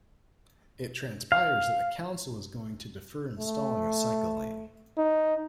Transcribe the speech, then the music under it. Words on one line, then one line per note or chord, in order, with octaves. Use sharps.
It transpires that the council is going to defer installing a cycle lane.
F5
A3
D#4